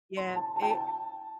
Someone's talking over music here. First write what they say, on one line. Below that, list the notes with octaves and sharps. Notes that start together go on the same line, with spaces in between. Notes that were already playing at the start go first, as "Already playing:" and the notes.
Yeah. It
C6
A5
A5
G5
A5